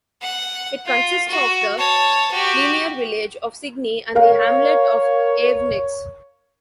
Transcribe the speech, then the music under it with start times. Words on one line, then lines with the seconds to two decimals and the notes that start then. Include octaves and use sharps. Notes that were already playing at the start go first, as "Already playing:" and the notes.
It consists of the linear village of Signy and the hamlet of Avenex.
0.22 F#5
0.86 F4
1.28 F#4
1.78 C#5 A5
2.32 F#4 G4
4.15 A#4 C#5 F5